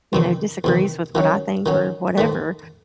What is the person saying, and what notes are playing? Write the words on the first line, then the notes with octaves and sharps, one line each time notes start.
you know, disagrees with what I think or whatever,
E2 C3 D#3
E2 C3 D#3
D#3 F#3 C#4
D#3 F#3 C#4
G#2 D#3 A3